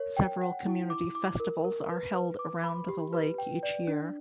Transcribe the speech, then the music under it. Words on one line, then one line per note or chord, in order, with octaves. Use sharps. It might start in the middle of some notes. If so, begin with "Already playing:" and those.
Several community festivals are held around the lake each year.
Already playing: A#4 C#5
G5
F#5
E4
D6
D6
A#4
A#4
B4
B4
D6
B5
G4
B4
G5
D5
D4